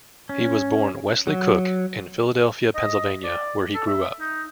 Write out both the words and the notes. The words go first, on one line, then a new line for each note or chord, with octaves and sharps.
He was born Wesley Cook in Philadelphia, Pennsylvania, where he grew up.
C#4
F#3
D#5
D5
A4
E5
D#4